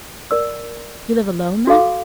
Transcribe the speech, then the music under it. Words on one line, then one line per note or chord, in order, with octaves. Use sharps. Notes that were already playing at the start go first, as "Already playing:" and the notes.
"You live alone, then?"
A#4 D5 E6
F#4 A4 F5 D6